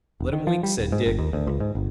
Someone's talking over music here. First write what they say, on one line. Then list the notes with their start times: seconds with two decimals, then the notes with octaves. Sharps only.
"Let 'em wink," said Dick.
0.20 E1
0.33 D#3
0.47 F3
0.63 G3
0.78 D#1
0.92 G#2
1.06 G1
1.19 D#2
1.33 D2
1.47 C#2
1.60 G#2
1.75 G1